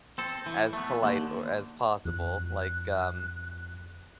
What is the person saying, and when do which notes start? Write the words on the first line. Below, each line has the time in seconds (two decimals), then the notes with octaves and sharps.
as polite or as possible. Like, um
0.18 C4 A4
0.46 E3
0.73 A3 B3
1.03 D#2 D3
2.05 F2 F#6